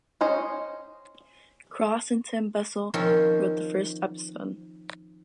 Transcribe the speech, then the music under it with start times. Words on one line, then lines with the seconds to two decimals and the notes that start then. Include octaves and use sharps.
Cross and Tom Bissell wrote the first episode.
0.21 C#4 C5 C#5 D#5
2.94 D#3 F3 C4 C#4